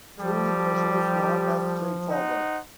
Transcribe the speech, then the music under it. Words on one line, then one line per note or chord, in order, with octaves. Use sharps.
Fluid measure is not as straightforward.
F3 G3 G4 A4
D#4 C5 F#5